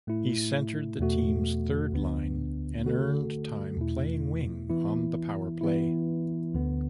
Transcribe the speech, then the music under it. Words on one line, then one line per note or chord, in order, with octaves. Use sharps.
He centred the team's third line and earned time playing wing on the powerplay.
A2 A3 E4
E2 B2 A3 F#4
D2 D3 B3 D4
D3 A3 F#4 A4
E2 B2 A3 E4
E3 B3 E4
E3 B3 E4
D2 D3 B3